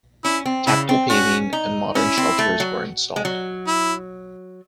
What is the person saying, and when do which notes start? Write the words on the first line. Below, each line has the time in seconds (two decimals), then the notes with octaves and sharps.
Tactile paving and modern shelters were installed.
0.24 C#4 E4
0.46 C4
0.67 C#3 E4
0.89 C4
1.10 C#4 F#4
1.53 D#4
1.95 C#4 E4
2.18 C4
2.39 A3
2.60 F#3
3.16 G#3
3.25 F#3
3.67 E4